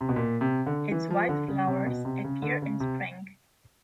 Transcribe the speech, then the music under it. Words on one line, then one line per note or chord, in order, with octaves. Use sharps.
Its white flowers appear in spring.
C3
B2
A#2
C3
D3
E3
F3
D3
C#3
C3
B2
C3
C#3
D3
C#3
C3